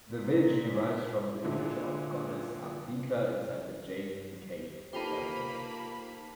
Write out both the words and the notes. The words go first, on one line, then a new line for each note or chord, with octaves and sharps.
The village derives from the image of Goddess Ambika inside the Jain cave temple.
A#2
A#2 D3 G#3 E4
A#3 D#4 F4 G4 A4 B4 C5 B5